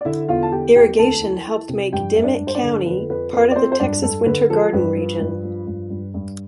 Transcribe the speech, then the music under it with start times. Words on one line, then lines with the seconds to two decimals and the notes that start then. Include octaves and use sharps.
Irrigation helped make Dimmit County part of the Texas Winter Garden Region.
0.01 D5
0.05 D3 E4 E5
0.28 E2 F4 F5
0.43 A5
0.52 E2 G4 G5
0.76 E2 G4 G5
0.99 D2 A4 A5
1.22 E3
1.46 E3
1.69 C3
1.92 G2 G4 G5
2.16 G2 E5
2.23 D4 D5
2.39 G2
2.47 C5
2.55 D4 D5
2.63 D3
2.86 F2 B4
3.10 F2 B4
3.33 F2 B4
3.51 D5
3.56 F2 C4 C5
3.72 C5
3.80 G2 D4 D5
4.03 G2 A4
4.26 D3 B4
4.50 F3 A4
4.73 G2 B4
4.97 F3
5.20 G2
5.44 F3
5.67 G2
5.90 G2
6.14 G2